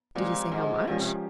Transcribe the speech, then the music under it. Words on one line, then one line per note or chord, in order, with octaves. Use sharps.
"Did he say how much?"
A#2 F3 G#3 C4 G4
G#2
A#2 F3 G#3 C#4 G4
C3